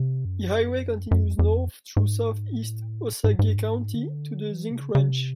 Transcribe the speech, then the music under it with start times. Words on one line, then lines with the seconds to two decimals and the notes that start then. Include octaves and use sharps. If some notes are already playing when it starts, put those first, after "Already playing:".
The highway continues north through southeast Osage County to the Zink Ranch.
Already playing: C3
0.25 F#2
1.11 F#2
1.25 F2
1.39 F2
1.96 G#2
2.53 A2
3.24 G#2
3.39 G#2
3.48 G2
3.56 G#2
3.95 D3
4.52 E3
4.71 C3
4.81 C#3
4.95 C#3
5.09 C3